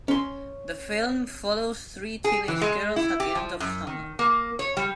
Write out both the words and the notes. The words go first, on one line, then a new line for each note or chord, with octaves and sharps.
The film follows three teenage girls at the end of summer.
C#4 C6
G#4
E3
G#3
E4
G4
F3
F#2
D#3
A#3
C#5
G3